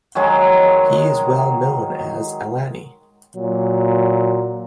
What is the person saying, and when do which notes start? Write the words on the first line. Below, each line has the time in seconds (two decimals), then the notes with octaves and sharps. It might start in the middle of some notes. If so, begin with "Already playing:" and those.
He is well known as "alani".
0.15 D#3 F#3 G#3
3.37 A#2 F#3